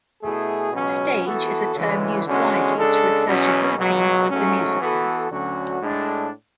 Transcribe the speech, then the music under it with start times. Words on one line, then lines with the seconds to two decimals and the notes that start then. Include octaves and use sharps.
"Stage" is a term used widely to refer to groupings of the musicals.
0.22 B2 A3 E4 G#4
0.72 C#2 B2 F#3 C#4
1.24 E3 B3 F#4 A4
1.74 D2 C#3 E3 G#3
2.25 E2 D3 G#3 C#4 F#4
2.76 C#3 G#3 D4 A4
3.27 E2 B2 F#3 C#4
3.77 C#2 B2 F#3
4.29 G#2 F#3 A3 C#4
4.79 E3 B3 F#4 A4
5.30 D2 D3 F#3 C#4 F#4
5.81 A2 G#3 D4 A4